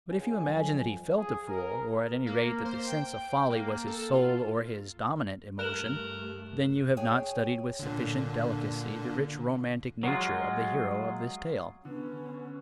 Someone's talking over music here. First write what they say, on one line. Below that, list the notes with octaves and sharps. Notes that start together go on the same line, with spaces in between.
But if you imagine that he felt a fool, or at any rate that the sense of folly was his sole or his dominant emotion, then you have not studied with sufficient delicacy the rich romantic nature of the hero of this tale.
C#2 G#5
F2 F3 F#3
G#4
A#4
A#3
C5
G5
A#3
A4
F4
G2 A3 A#4 F#6 E7 F#7
G#4 C#5 G5 G#5
A#2 D3
F#3 G#3 F4
D3 B3 C#4